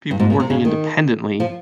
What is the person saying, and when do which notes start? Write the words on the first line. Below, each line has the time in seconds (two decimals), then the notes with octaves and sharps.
people working independently,
0.11 G2
0.20 G#2
0.30 A#2
0.40 C3
0.50 C#3
0.65 D#3
1.40 F3